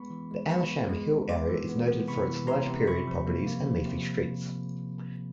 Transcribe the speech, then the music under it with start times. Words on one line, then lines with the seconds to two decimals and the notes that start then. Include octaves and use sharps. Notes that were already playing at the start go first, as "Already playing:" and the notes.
The Amersham Hill area is noted for its large period properties and leafy streets.
Already playing: G#3 B3 B5 C#6
0.10 E3
0.31 G#3
0.50 B3 B5 C#6
0.71 B3
0.89 G#3
1.10 G#3
1.29 B3 C6 D6
1.49 E3
1.69 B3
1.88 B3
2.08 C3 B5 C#6
2.28 E3
2.47 B3 A#5 C6
2.67 C3
2.87 C3 B5 C#6
3.07 F3
3.27 A#3
3.46 A#3
3.66 F3
3.85 C3